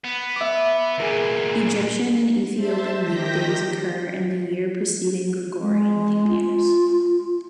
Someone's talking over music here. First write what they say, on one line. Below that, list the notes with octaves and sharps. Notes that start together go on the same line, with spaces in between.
Egyptian and Ethiopian leap days occur in the year preceding Gregorian leap years.
B3
E5 D6
E2 A#2 G#4 A#4
C5 E5 A5
D#3 G4 G6 A#6 B6
G#3
F4